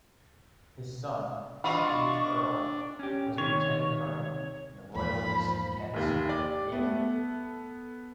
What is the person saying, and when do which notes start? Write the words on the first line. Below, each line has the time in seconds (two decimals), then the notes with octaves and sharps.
His son, the eighth Earl, was a Lieutenant-Colonel in the Royal East Kent Yeomanry.
1.64 E3 D4 F4 D#5 F#5 B5 C#6
2.99 C#4 G4
3.38 C3 D#3 C#5
4.95 E2 G#2 F3 A#3 B5
5.94 F1 D#2 G4
6.29 D5
6.72 A3 B3
7.11 A4